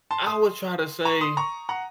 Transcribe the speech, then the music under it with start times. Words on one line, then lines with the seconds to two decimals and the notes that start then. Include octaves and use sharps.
I would try to say
0.11 A5 C6
0.26 C6 D#6
1.05 A#5 C#6
1.21 C6 D#6
1.37 A#5 C#6
1.69 F#5 A#5